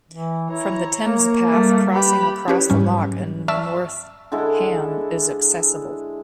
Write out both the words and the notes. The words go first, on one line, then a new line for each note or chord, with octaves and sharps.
From the Thames Path crossing across the Lock in the north Ham is accessible.
E3
E4 C#5 A#5
A#3
G3 A3
G4 B4 B5
C#4 E4 G4 B4 C#5
G#2 F#3 G3 C#4
D5 E5 A5 C#6 E6 F6
D3 G#3 E4 A4